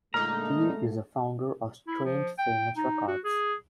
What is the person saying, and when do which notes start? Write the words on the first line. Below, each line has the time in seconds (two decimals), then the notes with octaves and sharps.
He is a founder of Strange Famous Records.
0.14 A#2 D3 G#3 A3 D#4 A#5 F6
1.87 E4
2.05 F3
2.38 G5
2.77 D#4
3.08 F#4
3.24 G#4